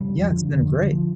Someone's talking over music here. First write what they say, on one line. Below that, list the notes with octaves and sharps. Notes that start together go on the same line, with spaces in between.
Yeah. It's been great.
C#3 G3
F2 F3
D3
F2 D3
D3
F3